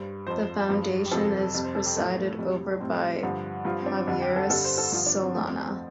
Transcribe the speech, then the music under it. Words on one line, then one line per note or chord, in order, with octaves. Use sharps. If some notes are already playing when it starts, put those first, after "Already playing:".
The Foundation is presided over by Javier Solana.
Already playing: G2 G3 C5
F2 F3 C5
G2 F3
G4
F2 C3 F3 A4
F2 C3 G3
C5
A4
G4
A2 F3 A3
F2 C3 G3
A2 G3 C4
G2 D3 F3
G2 F3 F4
C4
D4
F2 D3 G3
G4
A4
G2 D3 G3 A4
C5
A4
G2 D3 F3 F4
D4
C4
F2 F3 A3
C4
C4